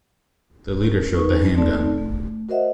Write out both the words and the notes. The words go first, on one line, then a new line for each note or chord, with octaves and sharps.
The leader showed the handgun.
C#4 A#4
F#3 D#4 A4 B4 C#6
C#4
A3 C4 D#4 A4 D5 A5
A3
F#4 A#4 C5 D#5 E5 F#5